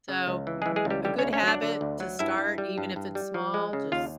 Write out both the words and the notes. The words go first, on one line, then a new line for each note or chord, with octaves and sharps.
So, mhm, a good habit to start, even if it's small, just
C#3
C#2
E3
E3 G#3 G#4
G#3 G#4
C#2
G3 G4
D3 G3 G4
D2 C#4 C#5
C#4 C#5
F#3 D4 D5
D3
D2
F#3
G2 E4 E5
G2
G3
G2
G2
G3
F3
G#3
C#3
D#2 F4 F5